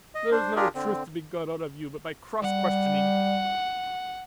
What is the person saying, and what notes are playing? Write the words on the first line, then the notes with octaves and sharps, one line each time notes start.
There's no truth to be got out of you but by cross-questioning.
D#5
D4 C5
D4 F4 G4 G#4 A#4
D3 C4
G3 F#5